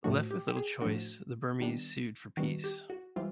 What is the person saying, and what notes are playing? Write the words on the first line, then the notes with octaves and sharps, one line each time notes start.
Left with little choice, the Burmese sued for peace.
A2 F3 A3 D4 F#4
G4
G4
G#4
A2 F3 A3 D4 F#4
D#3 G3 B3 D4
D#3 G3 B3 D4 F#4
G4
F#4
E3 G3 C4 F4